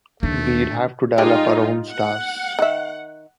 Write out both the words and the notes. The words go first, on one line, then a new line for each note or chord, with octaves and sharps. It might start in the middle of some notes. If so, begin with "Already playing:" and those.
We'd have to develop our own stars.
D#2 D3 A3
G3 G#3 D#4 F4 G4
F#5
D#3 E5